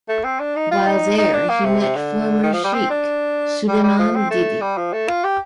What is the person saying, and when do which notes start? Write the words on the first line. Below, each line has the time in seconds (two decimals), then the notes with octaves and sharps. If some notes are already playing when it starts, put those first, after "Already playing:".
While there, he met former sheikh, Suleiman Dede.
0.09 A3
0.24 C4
0.40 D4
0.56 D#4
0.71 F4
0.87 D#4
1.18 D#4
1.33 D4
1.49 A#3
1.65 C3
1.80 C3
1.96 D3
2.43 D#3
2.53 F3
2.64 G3
2.74 C4
2.90 D4
3.68 G3
3.83 G3
3.99 F3
4.15 C4
4.30 A3
4.61 G3
4.77 F3
4.93 A3
5.09 F4
5.24 G4